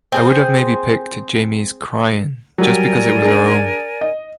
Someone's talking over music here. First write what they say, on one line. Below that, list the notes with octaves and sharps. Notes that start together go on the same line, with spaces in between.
I would have maybe picked Jamie's Cryin, just because it was our own.
C4 G#4 C5
F#3 G3 A#4 D5 G#5
D4 G#4
D#5